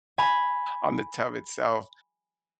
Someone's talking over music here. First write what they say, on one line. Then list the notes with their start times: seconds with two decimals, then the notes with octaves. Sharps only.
on the tub itself
0.18 G#5 B5